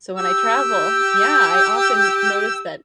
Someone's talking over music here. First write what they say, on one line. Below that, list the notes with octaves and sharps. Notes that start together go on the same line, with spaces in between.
so when I travel yeah, I oftern notice that
G4 G5 E6